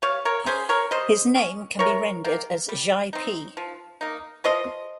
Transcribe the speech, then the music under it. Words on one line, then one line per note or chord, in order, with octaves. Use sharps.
His name can be rendered as Jia Pi.
G3 C#5 F5
A#4 C#5
C#4 G#4 C5
A#4 C#5
G3 C5 D#5
C#4
C3 A#4 C#5
D#3 A#3
G3
C4 D#4
F3
A#3 D#4
F3 C5 D#5